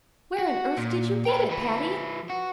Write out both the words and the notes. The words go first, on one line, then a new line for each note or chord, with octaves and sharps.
"Where on earth did you get it, Patty?"
F#4
A#2
A#2 G5
F3 B4
F#4